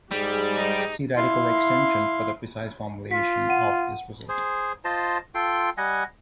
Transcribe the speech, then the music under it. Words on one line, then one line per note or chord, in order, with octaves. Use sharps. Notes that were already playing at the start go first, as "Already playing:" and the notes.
See Radical extension for the precise formulation of his result.
G#2 G3 G4 G#4
D#4
E4 F5 C6
F4 B6
F#5 D#7
G#4 C5
F4 C5 D#5 A5
F4 A4 G5 C6
G3 D#5 F#5 G#5